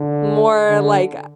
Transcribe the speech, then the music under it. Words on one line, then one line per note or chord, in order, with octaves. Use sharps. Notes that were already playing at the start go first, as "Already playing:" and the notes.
more like a
Already playing: D3
D3